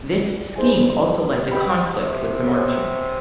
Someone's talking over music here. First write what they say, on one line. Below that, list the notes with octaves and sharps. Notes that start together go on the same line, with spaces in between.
This scheme also led to conflict with the merchants.
G3
D#4 G#4 C5 E5 G#5
G4 B4 D#5 G5 B5
C3
C3 A#4 C#5 F#5